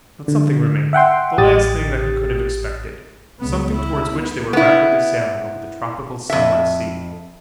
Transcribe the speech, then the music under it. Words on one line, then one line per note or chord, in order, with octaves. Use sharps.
But something remained--the last thing that he could have expected--something towards which they were rapidly sailing over the tropical, sunlit sea.
D3
E5 F#5 G5 C6
A1 G4 D#6 A6
C#2 B3
E4
B3
B3 E4
F2 E5